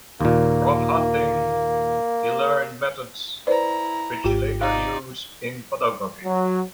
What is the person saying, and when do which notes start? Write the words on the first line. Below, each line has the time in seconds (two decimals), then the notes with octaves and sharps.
From hunting, he learned methods which he later used in photography.
0.21 D#2 A#2 A#3
3.47 E4 B4 C5 D5 A#5
4.24 G#1 G#2 F4 G4
4.61 D#4 D5 F5
6.25 F#3